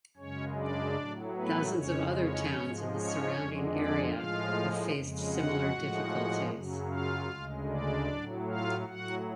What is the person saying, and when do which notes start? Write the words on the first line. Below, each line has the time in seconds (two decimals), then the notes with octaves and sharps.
Dozens of other towns in the surrounding area have faced similar difficulties.
0.17 F#2 C#3 G#3 C#4 C#5
0.57 D4 D5
0.96 A2 F#3
1.35 B3 B4
1.75 F2 C#3 G#3 C#4 C#5
2.14 C#4 C#5
2.55 G#2 F3 G#3
2.94 C#4 C#5
3.33 F2 D3 G#3
3.73 D4 D5
4.13 A2 F3 G#3 F4 F5
4.92 F2 C#3 G#3
5.31 F#4 F#5
5.71 A2 F3 G#3
6.51 F#2 C#3 F#3
6.89 F4 F5
7.29 D2 C#3 G#3
7.69 D4 D5
8.09 A2 F#3
8.48 F4 F5
8.87 A2 F#3 F#4 F#5